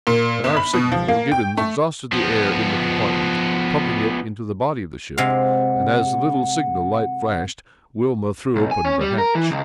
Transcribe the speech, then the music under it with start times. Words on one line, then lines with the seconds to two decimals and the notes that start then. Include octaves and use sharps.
At our signal, Gibbons exhausted the air in the compartment, pumping it into the body of the ship, and as the little signal light flashed, Wilma threw open the hatch.
0.07 A#2
0.44 G1
0.57 B5
0.73 B2
0.92 F3
1.08 A#3
1.32 G5
1.57 A3
2.12 F3 B3
5.18 C3 G#3 F5 F#5
8.56 B1
8.71 G#5
8.85 C#4
9.01 G3
9.18 A#4
9.35 E3
9.51 C#2